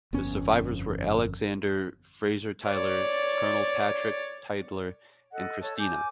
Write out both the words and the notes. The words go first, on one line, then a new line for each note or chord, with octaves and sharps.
The survivors were Alexander Fraser Tytler, Colonel Patrick Tytler, and Christina.
G1 F2 B3 C#4
C#5 D5
A4 D#5 F#5
A4 C#5 A5 C#6
G#5 D6 G6